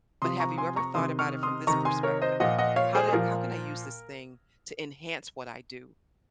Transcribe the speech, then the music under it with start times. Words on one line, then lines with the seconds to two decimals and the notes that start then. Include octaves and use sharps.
but have you ever thought about it from this perspective? How do how can I use this thing to enhance what I do,
0.22 C3 F3 C6 D#6
0.40 A#5 C#6
0.58 G#5 C6
0.76 A#5 C#6
0.95 C3 D#3 C6 D#6
1.19 C#6 F6
1.43 C6 D#6
1.67 C3 D#3 A#5 C#6
1.85 G#5 C6
2.03 A#4 C#5
2.22 C5 D#5
2.40 A#2 F3 D#5 F#5
2.58 D#5 F#5
2.76 C#5 F5
2.95 G#4 C5
3.08 G#4
3.13 A#2 F3 A#4